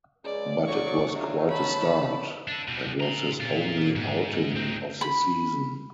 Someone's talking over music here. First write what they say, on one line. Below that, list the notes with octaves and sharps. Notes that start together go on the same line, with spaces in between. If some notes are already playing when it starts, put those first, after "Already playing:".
But it was quite a start, and was his only outing of the season.
C#2 D5
D2 F#3 D5 C#6
F#3 A3 D4 D#4 F4
A5 B5
D4 A4
B2 G3
A#5 C6
A#2 F4
G#2
C4 D#4
B5